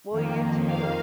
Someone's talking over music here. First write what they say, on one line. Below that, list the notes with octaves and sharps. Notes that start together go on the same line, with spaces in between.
Well, you too.
F2 D#3 A#3
F5